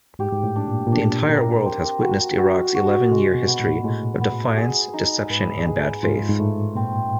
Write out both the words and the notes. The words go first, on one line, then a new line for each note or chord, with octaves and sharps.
The entire world has witnessed Iraq's eleven-year history of defiance, deception and bad faith.
G#2 G4
G#2
A2
D4
A#2
A#2
B2 D4
A#4
C4
F#4
F#4
F#4
C3 G#3
B2
B3
A2
A#2
A2 G#3
B3
G#4
D#4
G#2 B4
G#4
G#2 F4
G#2
A2 A3
A#2 C4